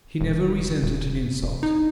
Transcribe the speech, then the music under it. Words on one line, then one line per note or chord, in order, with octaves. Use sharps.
He never resented an insult.
E1
D#1
E1
D#4